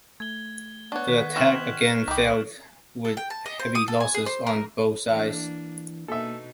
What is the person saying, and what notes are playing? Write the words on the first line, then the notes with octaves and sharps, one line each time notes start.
The attack again failed, with heavy losses on both sides.
A3 G#6 G7
B3 D4 C#5 C#6 F#6
D#3 B6
C4 D#4 F#4 F6 E7 F#7
C2 D#4 G4 B5
A4
G5
A5
D#5
C5
D#6
A4
G#5
G#4
C5
A#4
E3 A#3 D4
B2 A#3 D#4 A4 E5